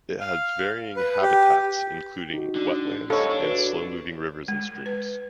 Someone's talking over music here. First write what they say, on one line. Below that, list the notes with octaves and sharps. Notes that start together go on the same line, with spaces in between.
It has varying habitats including wetlands and slow-moving rivers and streams.
F5
B4
G4
D#4 F#4
D3
G3 D#4 A4 C#5 F5
D4
F#4 B4
G#3
B4